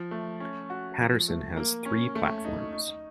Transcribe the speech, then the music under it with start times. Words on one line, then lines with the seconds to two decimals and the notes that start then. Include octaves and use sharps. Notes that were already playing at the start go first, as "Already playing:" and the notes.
Patterson has three platforms.
Already playing: F3
0.11 A3
0.40 C#4
0.70 F#4
0.99 F3
1.28 A3
1.57 A#3
1.85 C#4
2.15 A3
2.44 D#4
2.73 D#4